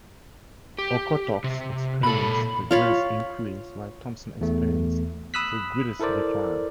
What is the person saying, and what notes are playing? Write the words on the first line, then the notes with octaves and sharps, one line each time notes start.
Okotoks experienced the greatest increase while Thompson experienced the greatest decline.
G4
C3
A#2 A4 B5
F4 C#5 B5
E2 A3
B5 D#6 E6 F#6 B6
E4 A4 A#4 C5 D5